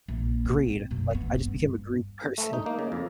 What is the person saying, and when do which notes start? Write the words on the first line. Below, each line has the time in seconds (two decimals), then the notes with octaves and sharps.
greed, like, I just became a greedy person,
0.08 A#1
0.45 C4
0.91 F#2 B2
1.11 A#3 B3
1.34 G2
2.38 A3
2.53 D#4
2.66 A#3
2.79 C#3
2.92 F2